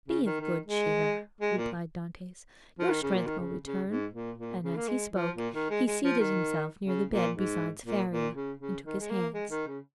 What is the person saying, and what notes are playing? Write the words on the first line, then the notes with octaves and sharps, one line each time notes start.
"Be of good cheer," replied Dantes; "your strength will return." And as he spoke he seated himself near the bed beside Faria, and took his hands.
C#3
D#3
D#3
G#3
G#3
A#2
F3
D#3
C#3
A#2
D#3
C#3
C#3
G#2
A#2
A#2
C#3
A#3
G#3
F3
A#2
D#3
G#3
G#3
F3
D#3
C#3
A#2
G#2
A#2
A#2
C#3
C#3
D#3
G#3
A#3
G#3
D#3
C#3